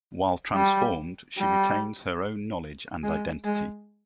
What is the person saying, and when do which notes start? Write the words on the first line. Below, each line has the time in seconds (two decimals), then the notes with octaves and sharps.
While transformed, she retains her own knowledge and identity.
0.54 G3
1.37 G3
3.03 G#3
3.45 G#3